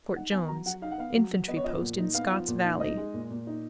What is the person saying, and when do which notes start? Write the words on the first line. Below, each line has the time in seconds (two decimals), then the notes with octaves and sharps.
Fort Jones.--Infantry post, in Scott's Valley.
0.16 D#4 F#5
0.32 B3 G#5
0.48 F#3 A#5
0.66 F#3 F#5
0.82 D#4 F5
0.91 F#5
0.98 B3 F5
1.15 F#3
1.32 F#3
1.48 B3 D#5
1.57 C#5
1.64 F3 D#5
1.81 A#2
1.98 D#4
2.14 B3 F5
2.31 F3
2.48 A#2
2.64 D#4
2.80 D#4 D#5
2.97 G#3
3.14 A#2
3.30 A#2
3.47 D#4